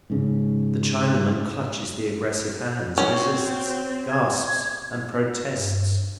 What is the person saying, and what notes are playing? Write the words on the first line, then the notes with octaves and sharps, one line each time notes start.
The Chinaman clutches the aggressive hands, resists, gasps, and protests.
G#2 C#3
C4 C#4 F#4
G#6
G2